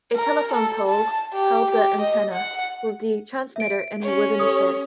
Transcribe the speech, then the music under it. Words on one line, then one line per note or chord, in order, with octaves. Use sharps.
A telephone pole held the antenna, with the transmitter in a wooden shed.
A#4
A4
A5
G4
G4
D#5
F#5
E5 D7
C#4 C#5
G4 A4 D#6